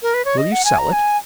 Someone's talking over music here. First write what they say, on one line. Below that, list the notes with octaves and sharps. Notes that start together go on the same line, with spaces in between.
Will you sell it?
A#4
B4
C#5
D#5
F#5
G#5
A#5
G#5